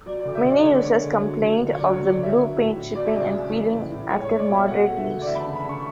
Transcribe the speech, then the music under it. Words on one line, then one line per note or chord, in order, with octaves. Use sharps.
Many users complained of the blue paint chipping and peeling after moderate use.
F#3 D5
D5
D3
E5
D3
D5
G#3 C#5
D5
G#3 C#5
D3
F#3
D3
D3
C#5
F#3 D5
D3 C#5
D5
D3 E5
F#3
A2
A2
F#3 D5
E5
C#3 D5
C#3
E3
A2
A2
G#3 C#5
G#3 C#5
D5
B2
E5
A3 F#5
A3
E5
D3
D5
E3 E5
B5
A5
C#3
B5
C#3 C#6